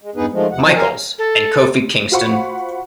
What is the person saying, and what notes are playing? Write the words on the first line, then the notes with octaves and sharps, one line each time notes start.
Michaels, and Kofi Kingston.
G#3
E2 G2 B3 D#4 G#4 B4
D#3 F3 G#3 A3
E2 C3 F#5
F3 F#3
A#4 F5 G#5 A#5
A4
F4 F#4 C5 F#5 B5 C#6